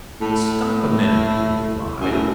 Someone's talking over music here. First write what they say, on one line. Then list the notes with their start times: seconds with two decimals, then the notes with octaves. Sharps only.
"Stop a minute!" he replied.
0.21 A2
2.00 F#2
2.11 A2